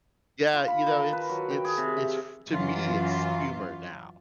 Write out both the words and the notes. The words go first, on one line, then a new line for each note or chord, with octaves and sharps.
Yeah, you know, it's it's it's to me, it's humor, now,
F4
B5
D#3
A5
B4
F#3
G5
G#4
C3
E5
F#2 E3 F#3 F4